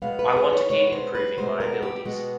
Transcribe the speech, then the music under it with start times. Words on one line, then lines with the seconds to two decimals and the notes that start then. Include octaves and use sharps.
I want to keep improving my abilities.
0.02 B2 G#3 B3 F5
0.19 B4
0.36 G#4
0.53 C#5
0.70 B2 G#3 B3 C#5
0.92 C5
1.15 B4
1.37 B2 G#3 B3 C5
1.60 A#4
1.82 G4
2.05 B2 G#3 B3 F#4